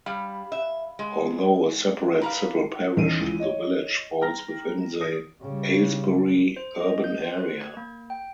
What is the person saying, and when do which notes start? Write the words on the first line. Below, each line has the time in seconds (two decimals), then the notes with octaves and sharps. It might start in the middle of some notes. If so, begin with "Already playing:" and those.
Although a separate civil parish, the village falls within the Aylesbury Urban Area.
0.06 G3 F5 B5
0.52 E5
0.99 G#3
2.21 A#4 B4 F5 A#5
2.97 E2 D#3 C#4 D7 D#7
3.19 C#2 E3
3.39 C#5 D#5
4.21 G5 A#5 F6 A#6
5.01 D#6 A#6
5.41 C#3 G3
6.57 C5
6.80 D#5
7.04 G6
7.24 C5
7.39 F#6
7.59 G#6
7.77 A#3
8.10 G5